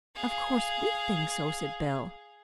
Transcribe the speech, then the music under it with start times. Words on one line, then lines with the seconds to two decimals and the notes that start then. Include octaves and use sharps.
"Of course we think so," said Bell.
0.16 G#4 F5